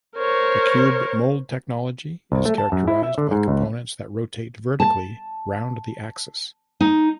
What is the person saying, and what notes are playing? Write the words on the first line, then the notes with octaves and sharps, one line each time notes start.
The cube mold technology is characterized by components that rotate vertically round the axis.
A#4 C5 C#5
C2
A3
A5
F#2
E4
E5
D3
G#2
C#2
A5
D#4